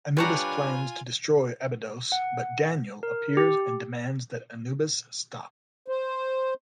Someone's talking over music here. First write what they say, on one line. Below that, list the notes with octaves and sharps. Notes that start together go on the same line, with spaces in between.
Anubis plans to destroy Abydos but Daniel appears and demands that Anubis stop.
G3 D4 F4 B4 C#5 G#5 A#5
F#5
A#4
G4
C5